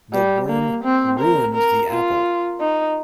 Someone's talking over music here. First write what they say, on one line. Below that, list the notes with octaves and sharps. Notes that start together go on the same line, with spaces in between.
The worm ruined the apple.
G3
A#3
C4
A#4
A#4
F4
D#4